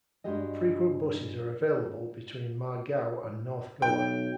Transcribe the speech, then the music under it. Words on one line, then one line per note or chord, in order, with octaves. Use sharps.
Frequent buses are available between Margao and North Goa.
G2 D#3 G#3 F#4 G4 D#5
B1 G5